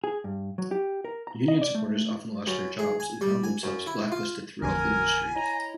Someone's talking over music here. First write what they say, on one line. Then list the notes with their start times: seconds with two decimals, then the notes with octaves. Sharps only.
Union supporters often lost their jobs and found themselves blacklisted throughout the industry.
0.04 G#4
0.24 G2
0.58 F#3
0.71 G4
1.05 A#4
1.27 A#5
1.48 D#5
1.62 D5
1.75 A3
2.47 F#2
2.79 G#4
3.00 G#5
3.21 G3
3.44 G#5
3.63 F#2
3.87 E4
4.12 F4
4.62 A1 F2 D3 A#4 G#5 F6 G#6
5.35 E4 C#5 D#5 A#5